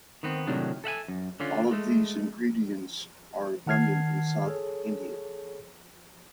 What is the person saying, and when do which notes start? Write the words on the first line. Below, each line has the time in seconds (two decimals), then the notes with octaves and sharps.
All of these ingredients are abundant in South India.
0.23 D#3 B3 C4
0.47 A2 C3 D#3 F#3 D4
0.84 A4 E5 F#5 G#5
1.08 F#2
1.40 D3 C#4 F4
1.71 G#3 A3
3.67 D#3 F#5 A5 F6 G#6 C7
4.46 G#4 A4 C#5